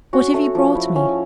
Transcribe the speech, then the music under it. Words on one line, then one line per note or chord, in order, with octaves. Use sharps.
What have you brought me?'
C#4 F#4
A3
F3
E4
C#4